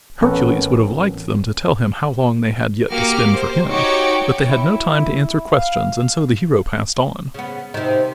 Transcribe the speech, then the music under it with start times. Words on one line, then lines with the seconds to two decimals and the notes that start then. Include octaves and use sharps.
Hercules would have liked them to tell him how long they had yet to spin for him, but they had no time to answer questions and so the hero passed on.
0.21 A1 B3 C#4 A4 A#4 F#5
2.89 A#3 F#4 G4 A#4 D6 F6
3.34 C5
3.68 D#4 F#4 G4 C#5 G5 D6
4.49 E4
5.52 F5
7.34 C#3 B3
7.74 C3 D#3